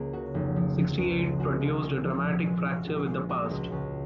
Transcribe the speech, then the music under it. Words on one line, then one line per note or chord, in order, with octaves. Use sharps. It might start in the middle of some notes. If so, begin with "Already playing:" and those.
Sixty-eight produced a dramatic fracture with the past.
Already playing: C#2 A#3 G#4
C#3 F#4
F1
F3
F3
C#2
G#3
G#3 F#4
C2
C2
F3
A#1
G#3
F3 F#4
A#1
G#3
G#3 F#4
C#2
C#2